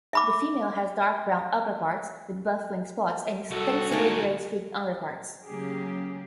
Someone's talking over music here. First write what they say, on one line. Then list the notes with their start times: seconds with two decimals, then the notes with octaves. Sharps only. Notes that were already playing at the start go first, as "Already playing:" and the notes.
The female has dark brown upperparts, with buff wing spots and extensively grey-streaked underparts.
0.13 E5 B5 D6
3.51 C2 F#4 A4
3.91 D2 A#2 A3 A#3 D#4 G#5
5.46 C#3 F#3 A#3 G4 G#4